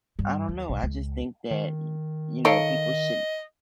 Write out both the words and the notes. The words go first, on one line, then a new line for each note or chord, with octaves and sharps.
I don't know, I just think that, y you know, people should
G2
D#2
B1
C#2
D#3
D#4 A4 C#5 D#5 F5 C#7 D7